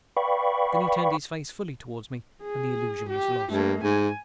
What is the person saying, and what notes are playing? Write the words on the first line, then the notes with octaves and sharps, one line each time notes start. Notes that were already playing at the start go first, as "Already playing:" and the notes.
Then he turned his face fully towards me, and the illusion was lost.
B4 D5 F5 G5 B5 C#6
G#4
G4
G2 A3 A#3
G#2 G#5